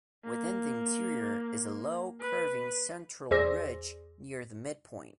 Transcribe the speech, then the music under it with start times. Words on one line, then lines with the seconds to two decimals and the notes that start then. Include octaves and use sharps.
Within the interior is a low, curving central ridge near the midpoint.
0.24 A#3
2.20 B4
3.31 E2 G#4 C5 D5 E6 A#6